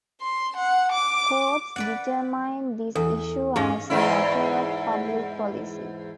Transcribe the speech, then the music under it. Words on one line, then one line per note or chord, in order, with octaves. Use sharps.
Courts determine this issue as a matter of public policy.
C6
F#5
D6
B4 D5 F#5
E2 A4
G#2 C#4 G4 G#4 F5
E2 G#2 E4